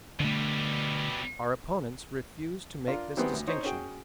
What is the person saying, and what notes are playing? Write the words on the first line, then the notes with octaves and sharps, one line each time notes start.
Our opponents refuse to make this distinction.
B2 D3 G3 A3
D4 F4 A#4
D#3 E3 G3 B3 C4
D2
D#4 C5 C#5 D#5
C#4 F#4 G#4 G5